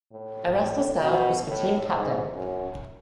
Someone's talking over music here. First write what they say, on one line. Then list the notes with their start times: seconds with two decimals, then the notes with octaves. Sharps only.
Erastus Doud was the team captain.
0.11 A2
0.56 A2
1.01 B2
1.45 A2
1.90 G#2
2.34 F#2